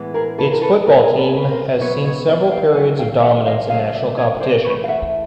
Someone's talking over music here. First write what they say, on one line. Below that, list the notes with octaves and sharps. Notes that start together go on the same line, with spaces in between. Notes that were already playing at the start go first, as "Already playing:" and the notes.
Its football team has seen several periods of dominance in national competition.
Already playing: A2 E3 G#3 B3
G#4 A#4
A4 B4
A#4
A4 B4
B2 G#3 B3 A#4
B4
G#4 A#4
A4 B4
B4
A#4 C5
B2 F#3 B3 B4 C#5
C#5 D#5
D5 E5
F5 G5
G#2 D#3 F#3 F#5 G#5
F5 G5
E5 F#5
D#5 F5
C#3 F#3 A3 D#5 F5
D5 E5
E5
C#5 D#5
C5 D5
G#2 E3 A3 B4 C#5
F5
E5 F#5